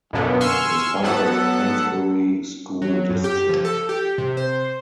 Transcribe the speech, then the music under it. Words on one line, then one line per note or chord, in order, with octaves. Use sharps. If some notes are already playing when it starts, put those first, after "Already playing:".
It is part of Pennsbury School District.
F#2 B2 D3 A#3 B3
G#5 C6 C#6 E6 F6
F#3 B3 A4 F#5
F#3
F#2
G4
F3
A4
G4
C3
C5